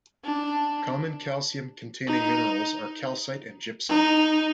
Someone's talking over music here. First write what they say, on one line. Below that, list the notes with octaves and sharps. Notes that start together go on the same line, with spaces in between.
Common calcium-containing minerals are calcite and gypsum.
D4
D#4
D#4